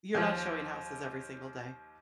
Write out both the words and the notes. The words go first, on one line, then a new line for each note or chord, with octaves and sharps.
You're not showing houses every single day.
D#2 F3